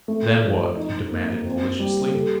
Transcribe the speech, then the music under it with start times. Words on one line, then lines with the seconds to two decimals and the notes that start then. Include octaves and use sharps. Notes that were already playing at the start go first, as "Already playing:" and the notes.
"Then what?" he demanded maliciously.
0.08 A3
0.42 F3
0.77 D#4
1.12 A#3
1.45 C4
1.79 G3
2.14 A4